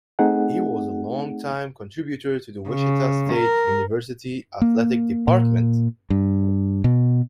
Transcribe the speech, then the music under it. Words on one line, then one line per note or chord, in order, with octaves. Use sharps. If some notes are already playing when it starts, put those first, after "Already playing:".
He was a longtime contributor to the Wichita State University athletic department.
A3 C4 D#4 G#4 F#5
C#3
A#4
A#3
A#2
G2
B2